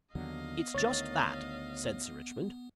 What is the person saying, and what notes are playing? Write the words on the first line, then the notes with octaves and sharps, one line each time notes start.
"It's just that," said Sir Richmond.
D#2 D3 F#3 B3 D#5 F5
D2 D#3 C#5 A6